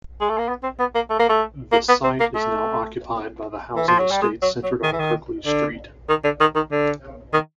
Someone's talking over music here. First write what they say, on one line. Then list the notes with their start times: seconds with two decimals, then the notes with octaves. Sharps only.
The site is now occupied by the housing estate centred on Kirklees Street.
0.21 G#3
0.29 A3
0.38 A#3
0.48 B3
0.63 C4
0.80 B3
0.95 A#3
1.10 A3
1.19 A#3
1.29 A3
1.72 A#3
1.89 B3
2.04 C4
2.20 A#3
2.35 A3
3.76 E3
3.88 F3
3.99 F#3
4.11 G3
4.22 G#3
4.42 F#3
4.63 F#3
4.83 D#3
4.92 E3
4.99 D#3
5.46 D3
6.09 D#3
6.24 D3
6.40 D#3
6.55 D#3
6.71 D3
7.33 D#3